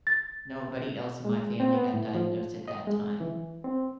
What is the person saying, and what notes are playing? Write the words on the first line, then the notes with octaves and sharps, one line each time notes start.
Nobody else in my family got diagnosed at that time.
A6
G#3
C4
B3
A2
F3
D#5
G#3
E3
C4